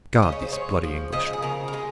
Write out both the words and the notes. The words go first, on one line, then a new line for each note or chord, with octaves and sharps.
God, these bloody English!
C#3 D#5
C#5
C5
G#3 C#5
F3
C#3 D#5
G#4
C#3 A#4
A#4
G#3 G#4